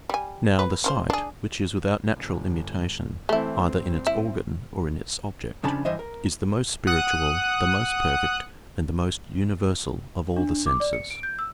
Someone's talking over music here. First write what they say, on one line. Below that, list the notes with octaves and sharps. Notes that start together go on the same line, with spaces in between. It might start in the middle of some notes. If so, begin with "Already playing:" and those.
Now, the sight, which is without natural immutation either in its organ or in its object, is the most spiritual, the most perfect, and the most universal of all the senses.
G3 G#5
B4
C#3 F4 C5
D4 G#4
G1
E3 A3 C4 E4
G2 C4
E4
F2 C#3 F3 D4 A5 B5
G2 E3 C5 D#5 E5
A#4
F#5 D#6 F#6
D4
D4
D6
D5
C#7
D7
G6
E6